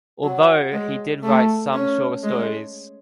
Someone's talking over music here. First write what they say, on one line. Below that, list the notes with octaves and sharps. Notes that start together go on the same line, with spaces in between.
Although, he did write some shorter stories.
F#3
G#3
A3
C#4
G#3